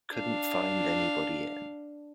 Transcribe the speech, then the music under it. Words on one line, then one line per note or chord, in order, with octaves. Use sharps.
Couldn't find anybody in.
D4 F5